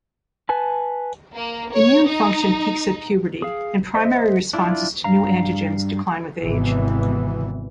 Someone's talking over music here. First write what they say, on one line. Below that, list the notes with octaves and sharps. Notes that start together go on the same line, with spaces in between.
Immune function peaks at puberty and primary responses to new antigens decline with age.
B4 G#5 A5
A#3
C#5
D#4
G#4 F5
C5 D#5 E5
D4 E4 F4
G2 F5 A#5
G#1 C3 E3 B3